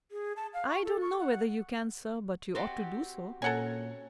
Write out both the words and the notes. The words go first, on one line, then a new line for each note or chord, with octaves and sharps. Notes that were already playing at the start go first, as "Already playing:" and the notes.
"I don't know whether you can, sir; but you ought to do so."
G#4
A5
F5
C#6
A4
C#6
F#5
C4 F#4 G4 D#5 A5
A#2 C#4 A4 F#5 G#5 A#5